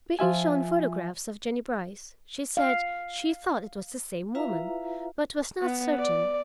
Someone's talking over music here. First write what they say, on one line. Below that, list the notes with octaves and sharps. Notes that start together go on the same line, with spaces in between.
Being shown photographs of Jennie Brice, she said she thought it was the same woman, but was not certain.
F3 F4 E5 G#5
F5
E4 F4 B4 E5 F5 A#5
B3
D5